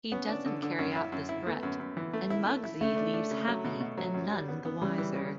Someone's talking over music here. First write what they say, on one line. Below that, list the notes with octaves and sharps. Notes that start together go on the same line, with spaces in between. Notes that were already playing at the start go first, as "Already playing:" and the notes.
He doesn't carry out this threat and Mugsy leaves happy and none the wiser.
B3 C#4
D4
D3
D3
F#2
E4
F#2
E4
A3 B3
F#2
F#2
E3
A3
E4
A3
E4
C#3 A3
D4
D4
C#3
F#3
B2
B2
F#3
F#2
G3
B3
B3
C#3 G3
E3
C#3